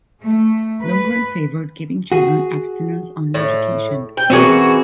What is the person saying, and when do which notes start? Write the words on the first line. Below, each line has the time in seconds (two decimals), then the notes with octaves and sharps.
Lungren favored giving children abstinence only education.
0.22 A3
0.81 B4
2.12 F#4 G#4
3.34 A2
4.17 G5
4.30 E3 C4 C#4 F#4 G#4 A#4